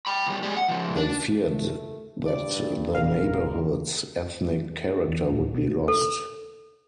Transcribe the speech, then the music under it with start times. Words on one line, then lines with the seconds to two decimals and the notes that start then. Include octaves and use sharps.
They feared that the neighborhood's ethnic character would be lost.
0.07 G5 B5
0.26 C#2 G3
0.43 G3 G#3
0.56 F#5
0.68 C#3 F3
0.96 D4
1.49 A3
2.26 G2 D5
2.95 F1 A#1 E2 A#4 F5
5.08 E2
5.32 D1
5.54 B2
5.88 A4